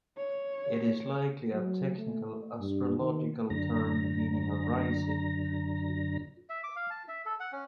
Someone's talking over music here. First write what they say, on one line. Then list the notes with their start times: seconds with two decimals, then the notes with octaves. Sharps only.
It is likely a technical astrological term meaning rising.
0.17 C#5
1.53 F#3
1.97 A3
2.60 G2
2.99 D#3
3.50 F#2 D3 A#5
6.49 E5
6.64 D6
6.76 F5
6.90 A5
7.08 E5
7.26 A4
7.40 F#5
7.53 C#4